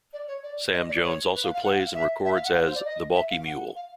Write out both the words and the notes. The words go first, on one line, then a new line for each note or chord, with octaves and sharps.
Sam Jones also plays and records as 'The Balky Mule'.
D5
C#5
D5
D#5
D5
C#5
B4
F5
F5
F#5
F5
E5
E5
F5
F#5
F5
C5
D5
D#5
E5
F5
F#5
F5